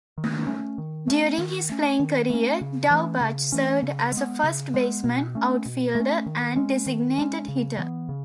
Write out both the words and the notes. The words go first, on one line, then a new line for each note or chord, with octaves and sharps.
During his playing career Daubach served as a first baseman, outfielder, and designated hitter.
D#3
A3 C#4
D#3
A3 C#4
D#3
A3 C#4
D#3
A3 C#4
C#3
E3 A3 C#4
C#3
E3 A3 C#4
C#3
G#3 B3
C#3
G#3 B3
B2
A3 C#4
B2
A3
C#4
D#3
G#3 C#4
D#3
G#3 C#4
C#3
E3 B3
C#3